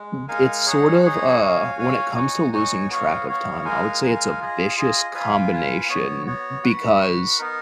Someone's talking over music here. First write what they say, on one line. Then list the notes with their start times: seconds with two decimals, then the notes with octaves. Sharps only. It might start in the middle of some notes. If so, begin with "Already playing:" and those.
d it's sort of, uh when it comes to losing track of time, I would say it's a vicious combination, because
Already playing: G#3
0.28 G#3 D#4 A#4 F5 G#5
0.66 D#4 G#4 C#5 F#5
1.03 D#4 G#4 C#5 F#5
1.41 F#4 C#5 F5 G#5
1.78 F#4 C#5 F5 G#5
2.15 D#4 F#4 C#5 G#5
2.52 D#4 F#4 C#5 G#5
2.90 B3 F#4 C#5 F5
3.28 B3 F#4 C#5 F5
3.64 G#3 D#4 A#4 F5 G#5
4.02 G#3 D#4 A#4 F5 G#5
4.40 F4 G#4 D#5
4.77 F4 G#4 D#5
5.14 F4 B4 F5 G#5
5.51 F4 B4 F5 G#5
5.88 B3 F#4 C#5
6.26 B3 F#4 C#5
6.63 F#4 B4 F#5
7.00 F#4 B4 F#5
7.39 B3 D#4 A#4